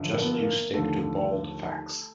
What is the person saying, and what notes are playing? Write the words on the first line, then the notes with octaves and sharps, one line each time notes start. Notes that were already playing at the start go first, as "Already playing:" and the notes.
Just you stick to bald facts.
Already playing: G1 F#2 D3 F3
A#3
B3
A#3
A#3
D#2 D3 F3 A3